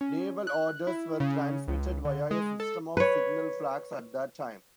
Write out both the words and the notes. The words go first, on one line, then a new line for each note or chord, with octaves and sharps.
Naval orders were transmitted via a system of signal flags at that time.
C#4
F#6
E4
C#3
C#2
D3
G#3
A4
B4 C#5